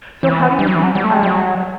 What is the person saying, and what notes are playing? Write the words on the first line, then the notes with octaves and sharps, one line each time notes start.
So how do you think, um, eh,
E3
G3
F#3
E3
F#3
G3
A3
G3
F#3